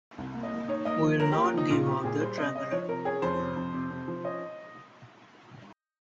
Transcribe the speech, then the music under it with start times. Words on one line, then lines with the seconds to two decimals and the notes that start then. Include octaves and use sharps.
We will not give up the tricolour.
0.18 C2
0.34 A#3
0.43 D#5
0.51 A#3
0.68 D#4 C#5
0.85 A#3 D#5
1.02 F3
1.20 C#4 A#4
1.32 A#3 G4
1.44 F4
1.54 F3 D#4
1.70 A#2 F4
1.87 C4 G4
2.04 A#2 G#4
2.20 G3 C5
2.38 C3 D#5
2.55 C#4 D#5
2.71 F3 C#5
2.88 C3 A#4
3.05 C#4 G#4
3.22 F2 C5
3.40 C3
3.56 F2
3.73 C3
3.91 C3
4.08 F3
4.24 C#4 D#5